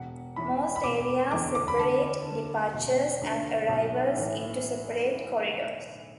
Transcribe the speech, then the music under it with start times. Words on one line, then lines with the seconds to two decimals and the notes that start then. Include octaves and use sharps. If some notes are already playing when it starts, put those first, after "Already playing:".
Most areas separate departures and arrivals into separate corridors.
Already playing: E1 F#5
0.36 E2 E3 B5
0.76 B5
0.84 E1 D6
1.31 E2 D3 D6
1.55 D6
1.68 B5
1.78 D2 A5
2.26 D3
2.74 E1
3.22 D2 D3
3.69 B1
4.16 A2 E3